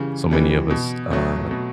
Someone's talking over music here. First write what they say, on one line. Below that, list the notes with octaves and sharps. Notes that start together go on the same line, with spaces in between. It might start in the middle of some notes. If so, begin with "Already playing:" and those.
so many of us uh,
Already playing: C#3 E3 G3
E3 G3
B2
F#3 A3
B2